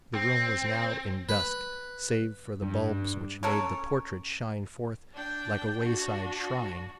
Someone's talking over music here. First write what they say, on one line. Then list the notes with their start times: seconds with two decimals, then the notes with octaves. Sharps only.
The room was now in dusk, save for the bulbs which made the portrait shine forth like a wayside shrine.
0.15 C4
1.29 B4
2.63 G2
3.43 C#4 A4 A#4 C#5
5.15 D4 G5
5.78 D4 F#4